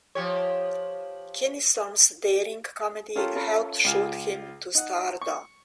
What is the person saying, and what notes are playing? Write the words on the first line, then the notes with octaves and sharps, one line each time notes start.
Kinison's daring comedy helped shoot him to stardom.
F3 G4 C#5
C#4 F4 G4 A4 A#4 C6
C#4 F4 A4 A#5 B5
C#2 F4 G#5
D#4 F#5
C#6